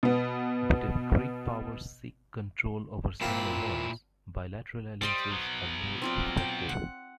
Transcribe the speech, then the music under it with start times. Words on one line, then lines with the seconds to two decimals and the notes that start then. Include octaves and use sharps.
But if great powers seek control over smaller ones, bilateral alliances are more effective.
0.03 B2 B3
3.21 A#2 A#3 C4 E4 F4
5.02 G3 C5 D#5 C6
5.31 F#3 B3
6.02 C4 F4 D5
6.37 G5
6.69 F#5